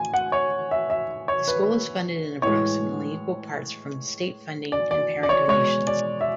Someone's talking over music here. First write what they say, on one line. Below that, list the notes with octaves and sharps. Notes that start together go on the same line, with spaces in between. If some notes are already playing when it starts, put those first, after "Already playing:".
The school is funded in approximately equal parts from state funding and parent donations.
Already playing: A2 G#5
F#5
C#5
E5
E5
C#5
B4
A2 E3 G#3 C#5
D5
D5
D5
C#5
B2 G#3 C#5
D5
E5